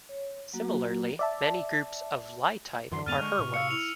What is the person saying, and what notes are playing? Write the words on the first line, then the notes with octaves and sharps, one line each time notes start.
Similarly, many groups of Lie type are Hurwitz.
C#5
F#3 A#3 F#4
D5 E5 A5
F#2 D3 E3 F#3 C6
F2 G#2 B3 F6 A6 D#7 F7
G#3 C#6
A2 C3
F5 E6 C#7
E4 F7